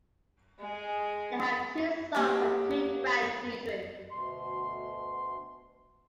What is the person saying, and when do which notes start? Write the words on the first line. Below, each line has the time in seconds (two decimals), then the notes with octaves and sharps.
They have two sons and two grandchildren.
0.59 G#3 G#4
2.15 A#3 C#4 F#4 G4 C#5 D#5
4.11 D2 B2 C6